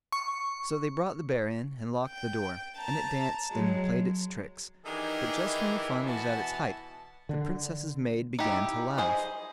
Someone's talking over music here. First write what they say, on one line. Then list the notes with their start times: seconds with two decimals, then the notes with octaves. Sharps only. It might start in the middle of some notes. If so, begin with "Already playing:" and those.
So they brought the bear in, and locked the door, and it danced and played its tricks; but just when the fun was at its height, the Princess's maid began to laugh.
0.12 C#6
2.06 G5
2.78 A5 A#5
3.51 F#3 G#3
4.86 D#3 E3 D4 D#4 G4 G#4
6.07 B2 E3 F#4 A5
7.29 D3
8.39 D#4 E4 G4
8.98 G#4 C5 D#5